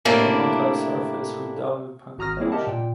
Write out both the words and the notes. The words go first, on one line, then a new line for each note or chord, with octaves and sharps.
Pronotal surface with double punctation.
A2 C3 A#3 D4 E4
G#1 F#4 A#5 D#6 F6 A#6
G3 A#3 C4 E4 G#4
G4 A#4 D#5 E5 F#5 A5
A#2 G5